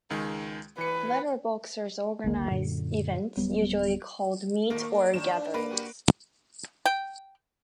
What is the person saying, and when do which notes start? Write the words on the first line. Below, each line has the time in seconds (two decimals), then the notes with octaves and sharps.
Letterboxers organize events, usually called "meets" or "gatherings".
0.10 C#2 D#3 G#3
0.78 E3 B4 C#7
2.24 G#1 D2 F3 A#3
2.50 F#2 A#2 D3
3.37 D1 F#3 G3 B3
4.70 A#2 D#3 A3 A#3
4.91 D4
5.14 G#2 D#3 D4 E7
5.33 G#2 D4
5.54 A#3 B4
5.71 A#2 F#4 G4
6.86 G5